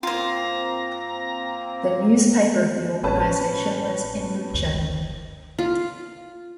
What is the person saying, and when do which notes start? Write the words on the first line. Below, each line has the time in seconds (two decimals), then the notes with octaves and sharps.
The newspaper of the organization was "En Lucha".
0.03 A#3 C4 F4 C5 A#5
3.03 A1 C#4 B4 A5
4.50 F#1 D2
5.59 F4